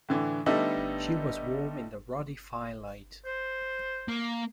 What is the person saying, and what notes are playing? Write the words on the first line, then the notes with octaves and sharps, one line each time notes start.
She was warm in the ruddy firelight.
A2 D3 E3
D3 G3 A3 B3 D#4 A4
C5
A#3